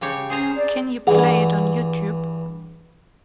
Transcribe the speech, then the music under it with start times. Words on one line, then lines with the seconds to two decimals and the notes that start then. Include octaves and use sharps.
Can you play it on Youtube?
0.01 C#3 G4 C#5
0.30 C#4 G#4 C5 A#5
0.56 D5
1.07 G2 E3 G#4 F#5